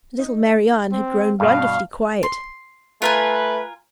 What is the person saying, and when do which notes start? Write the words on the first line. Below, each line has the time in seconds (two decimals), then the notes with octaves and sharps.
Little Marianne had grown wonderfully quiet.
0.19 D#4
0.92 C4
1.40 G2 B2 F5
2.23 C6
3.02 A3 F4 A#4 B4 G#5